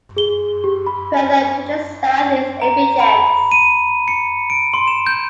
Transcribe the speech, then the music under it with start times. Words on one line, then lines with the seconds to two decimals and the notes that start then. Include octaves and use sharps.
Further to the south is Epigenes.
0.17 G#4 G7
0.64 G4
0.86 B5
2.62 A#5
3.00 B5
3.52 D#7
4.08 C#7
4.50 D7
4.74 C6
4.88 E7
5.07 G6